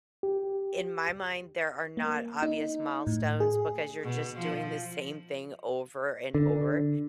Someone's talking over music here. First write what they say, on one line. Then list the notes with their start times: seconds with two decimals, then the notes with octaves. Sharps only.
in my mind, there are not obvious milestones, because you're just doing the same thing over and over.
0.23 G4
1.97 A#3
2.42 D#4
3.07 A2
3.40 G#4
4.03 B2
4.39 F3
6.35 D3